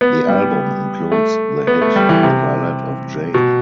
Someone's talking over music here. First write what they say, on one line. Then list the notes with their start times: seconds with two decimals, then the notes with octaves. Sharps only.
The album includes the hit "The Ballad of Jayne".
0.01 B3
0.28 G3
1.12 A3
1.67 B3
1.81 A3
1.96 G3
2.09 E3
2.23 C3
3.34 B2